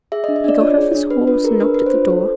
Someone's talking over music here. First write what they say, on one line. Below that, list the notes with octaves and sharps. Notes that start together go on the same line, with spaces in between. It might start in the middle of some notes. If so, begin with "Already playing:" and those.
He got off his horse and knocked at the door.
G#4 E5
D#5
D4
D#5
D4 D5
F4 C#5
G#4
D4
D4 B4
F4 B4
G#4 A#4
D4 B4
D4 B4
C5
F4
A4